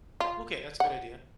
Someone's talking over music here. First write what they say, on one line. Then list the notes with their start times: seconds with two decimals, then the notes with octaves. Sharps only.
Okay, that's a good idea.
0.20 F4
0.80 F#5